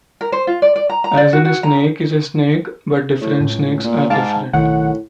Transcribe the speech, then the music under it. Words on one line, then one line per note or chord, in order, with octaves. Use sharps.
As in a snake is a snake, but different snakes are different.
A#4
C5
F4
D5
D5
A#5
A#5
D5
F#4
F#4
A#5
A2
C#2 A2
A#2
G#2 F5 A5 D6
B1 A2 D#3 F#5